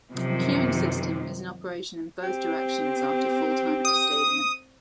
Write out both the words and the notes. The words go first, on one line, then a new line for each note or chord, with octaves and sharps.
A queuing system is in operation in both directions after full-time at the stadium.
F#2 C3 D#3 F3 G3
C4 G4
D#6